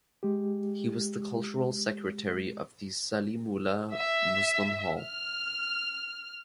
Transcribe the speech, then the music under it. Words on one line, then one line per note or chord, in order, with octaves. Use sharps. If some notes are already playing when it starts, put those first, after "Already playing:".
He was the cultural secretary of the Salimullah Muslim Hall.
G#3 G4
E5
F6